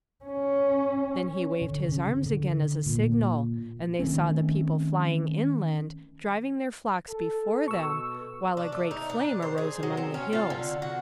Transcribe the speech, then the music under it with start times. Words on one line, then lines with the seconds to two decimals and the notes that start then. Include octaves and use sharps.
Then he waved his arms again as a signal, and they saw the people flying inland, driving their flocks before them, while a great flame arose among the hills.
0.25 C#4
1.61 D3
1.89 C#3
2.23 D3
2.86 A#2
3.99 D#3 A3 C4 C#4
7.09 A4
7.68 B2 C#6 E6
8.57 D4
8.72 A3
8.91 D#4
9.09 D4
9.42 C5
9.58 G#4
9.83 F#3
9.97 C4
10.14 C#4
10.33 F4
10.50 D3
10.82 F#4